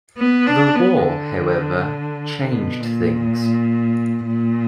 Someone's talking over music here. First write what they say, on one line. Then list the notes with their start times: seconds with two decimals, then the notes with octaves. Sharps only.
The war, however, changed things.
0.18 B3
0.47 D4
0.75 B3
1.04 D3
2.51 B2
2.80 A#2
4.26 A#2